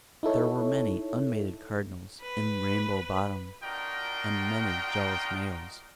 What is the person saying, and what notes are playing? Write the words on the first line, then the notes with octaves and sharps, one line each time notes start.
There were many unmated cardinals in Rainbow Bottom, and many jealous males.
D#4 E4 A4 C#5
B4
D4 F4 F#4 A#4 D#5 G5